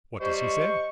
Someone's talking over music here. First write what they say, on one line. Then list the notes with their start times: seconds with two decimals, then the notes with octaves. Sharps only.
"What does he say?"
0.21 G3 C5 D#5 C#6